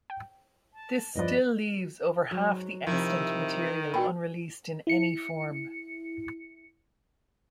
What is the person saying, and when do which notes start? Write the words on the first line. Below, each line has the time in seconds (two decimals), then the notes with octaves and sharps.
This still leaves over half the extant material unreleased in any form.
0.10 G5
0.74 A5
1.15 E2 G2 F3 B4 D5 D#5
2.31 G#2 F#3
2.87 C3 D#3 F3 E4
3.94 A#2 F#4 G5 B5
4.87 E4 C#7